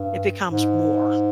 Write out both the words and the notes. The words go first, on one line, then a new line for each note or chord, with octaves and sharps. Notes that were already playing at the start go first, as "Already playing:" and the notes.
it becomes more.
Already playing: G2
G#2